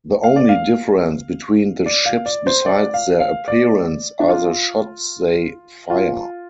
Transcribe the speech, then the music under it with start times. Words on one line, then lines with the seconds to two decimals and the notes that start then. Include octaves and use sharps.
The only difference between the ships besides their appearance are the shots they fire.
0.24 F5
0.36 D5
0.49 F5
1.86 D5
2.06 F5
2.26 D5
2.47 C5
2.66 D5
2.94 F5
3.20 F5
3.48 D5
4.20 D4
4.29 F4
5.90 F4